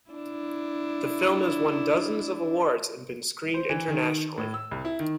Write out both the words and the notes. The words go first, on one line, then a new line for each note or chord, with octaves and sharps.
The film has won dozens of awards and been screened internationally.
D4 E4
C5
E3
D#3
A2
E6
C2
E4
D#3